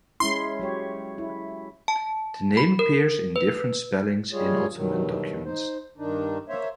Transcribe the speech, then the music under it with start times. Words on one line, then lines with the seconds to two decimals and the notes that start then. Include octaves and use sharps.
The name appears in different spellings in Ottoman documents.
0.20 G#3 C#4 E4 C6
0.60 F#3 G4 C#5
1.18 E4
1.88 A5
2.57 B5
2.79 A#4
3.36 B4
4.33 G3 G#3 F4 G#4 C#5
4.75 G2 B2 D#3 F#3
5.45 D#4 C5
5.98 G2 D#3 D4 D#4
6.49 A#3 C5 C#5 E5